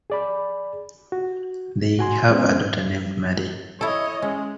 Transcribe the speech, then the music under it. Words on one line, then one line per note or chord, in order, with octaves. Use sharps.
They have a daughter named Maddie.
G#4 D5 B5
F#4
A2 F#4 G#5 C6
G#3 B3 C#4 C5
E4 A4 C#5 D#5
G#3 C#4